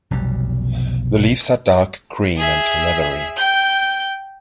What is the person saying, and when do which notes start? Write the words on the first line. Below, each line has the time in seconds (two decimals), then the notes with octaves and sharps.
The leaves are dark green and leathery.
0.11 F1 B1 B2 G3
2.37 G#4 E5
3.36 G5 G6